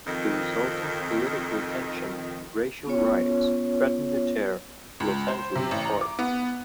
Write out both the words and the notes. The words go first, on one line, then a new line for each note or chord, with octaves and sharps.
The resulting political tension and racial riots threaten to tear Los Angeles apart.
F2 D#3
B3 C#4 F4 C#5
C#2
C5
C3
A1
A#5
D6
B3